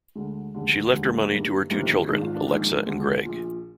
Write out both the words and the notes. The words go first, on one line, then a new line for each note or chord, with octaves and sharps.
She left her money to her two children, Alexa and Greg.
D2 D3 G#3
F1 D#2 D3
F1 D#2 D3 G#3
G#3
A#3
G1 G2 D#3 A#3
G1 F2 C3 D#3 A#3
G#1 G#2 D#3 D4
F4
D4
A#1 G#2 D#3 A#3
D#2 D3 G#3
G#3
A#1 A#2